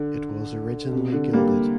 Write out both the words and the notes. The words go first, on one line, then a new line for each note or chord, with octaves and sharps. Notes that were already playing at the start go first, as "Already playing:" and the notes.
It was originally gilded.
Already playing: D3
C3
D3
G3 A#3